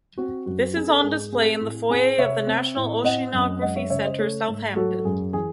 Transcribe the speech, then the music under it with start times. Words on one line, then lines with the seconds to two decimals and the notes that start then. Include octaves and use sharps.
This is on display in the foyer of the National Oceanography Centre, Southampton.
0.18 C4 F#4
0.46 F#2 F#4
0.76 C4 G#4
0.88 A4
1.00 G#2 G#4
1.32 C4 G#4
1.61 A2
1.90 C4 G#4
2.18 C3 C#5 E5
2.47 C4
2.76 A2
3.04 C4 D#5 F#5
3.33 F#2
3.62 G#3 D#5 F#5
3.76 C#5 E5
3.90 C#3 C#5 E5
4.05 C5 D#5
4.19 A3 A4 C#5
4.48 G#2
4.76 F#3 F#4 A4
4.99 A4
5.05 F#2 G#4
5.33 E3 G#4